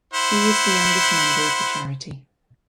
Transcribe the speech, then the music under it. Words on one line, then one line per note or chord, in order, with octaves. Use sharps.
He is the youngest member of the charity.
E4 C5 F#5